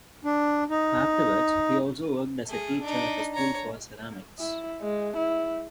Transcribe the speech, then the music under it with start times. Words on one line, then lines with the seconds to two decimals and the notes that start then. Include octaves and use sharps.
Afterwards, he also worked as a teacher at a school for ceramics.
0.25 D4
0.70 D#4
2.46 A3 G#4
2.81 D4 D#4
3.34 C#5 A#5
4.40 E4
4.81 G#3
5.17 E4